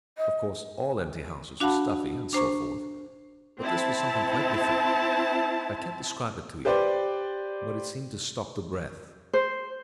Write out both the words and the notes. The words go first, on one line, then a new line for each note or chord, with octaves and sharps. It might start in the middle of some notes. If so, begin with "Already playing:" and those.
Of course all empty houses are stuffy, and so forth, but this was something quite different; I can't describe it to you, but it seemed to stop the breath.
D#5
D4 F#4 F5 F#5 A5 B5
D4 C5 A#5 C#6
C4 E4 A5
G4 B4 C5 D5
C5